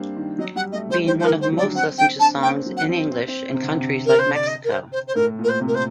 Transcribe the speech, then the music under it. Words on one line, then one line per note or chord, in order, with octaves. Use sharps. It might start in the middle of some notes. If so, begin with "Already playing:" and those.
Being one of the most listened to songs in English in countries like Mexico.
Already playing: G3 A#3 C4 D4
D#3
F#3 D#5
G3 F#5
A3 D#5
G3 C5
D#3 C5
C5
A#4
D3
C5
F#3
D5
D4
C4 F#5
C4 G5
D4 A5
A#3
C4 G5
F#3
F#5
C4
C4
C4
C3
D3
C3
A#4
C5
D5
D#5
A#4
C5
C5
C5
A2 A#4
A#2
A#4
C5
C3
A#4
C5